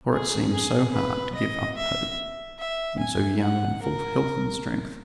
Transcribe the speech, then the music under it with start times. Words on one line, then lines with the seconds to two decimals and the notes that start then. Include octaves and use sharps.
For it seemed so hard to give up hope when so young and full of health and strength.
0.12 G#4
0.53 G#4
0.94 B4
1.35 D#5
1.77 E5
2.59 E5
2.99 G#5
3.40 F#5
3.82 A#4